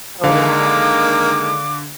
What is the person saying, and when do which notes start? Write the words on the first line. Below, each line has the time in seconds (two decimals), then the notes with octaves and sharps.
Oh, wow.
0.24 D3 D#3 G#3 A#3 F5 D6